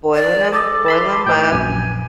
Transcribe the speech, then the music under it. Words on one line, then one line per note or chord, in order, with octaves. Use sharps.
boiling ‘em boil ‘em up,
D5
A4 D#5 A5 D6
A5 B5 C6
A2 D#4 G5
A#1 F#2 G#5